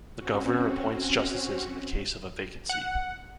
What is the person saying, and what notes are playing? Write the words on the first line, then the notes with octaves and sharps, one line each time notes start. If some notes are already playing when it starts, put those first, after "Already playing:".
The Governor appoints Justices in the case of a vacancy.
C4 C#4 F#4
F#5